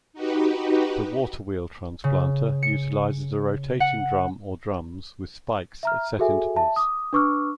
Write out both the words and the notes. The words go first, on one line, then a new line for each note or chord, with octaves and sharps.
The waterwheel transplanter utilizes a rotating drum or drums with spikes at set intervals.
D#4 F#4 G4 B4
C#3
C#7
F#5
E5 A#5 F6
F#4 G#4 A4 E5 G#5
E5 A5
D6 D#6
D4 B4 C#6 D6 E6 F6